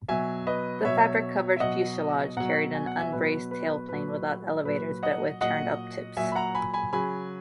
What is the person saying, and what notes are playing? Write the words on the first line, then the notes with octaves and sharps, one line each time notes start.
The fabric-covered fuselage carried an unbraced tailplane, without elevators but with turned-up tips.
B2 F#3 E5 G#5
B4 D#5
B2 F#3 C#5 E5
E5
B2 F#3 D#5 F#5
B2 F#3 F#5 A#5
G#5
F#5
E5 G#5
B2 F#3 B4
B4
A#2 F#3 B4
A#2 F#3 B4
D#5 F#5
A#2 F#3 D#5 F#5
A#2 F#3 E5 G#5
B5
F#5 A#5
G#5 B5
G#5 B5
C#3 F#3 G#5 B5